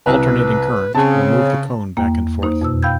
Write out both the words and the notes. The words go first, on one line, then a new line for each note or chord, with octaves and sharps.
Alternating current will move the cone back and forth.
C2 B4
C#3 C4 A5
E2 A#3 G5
A#3 D#4 C5
F2 B2 E6
F5 G5 B5 E6 G6 G#6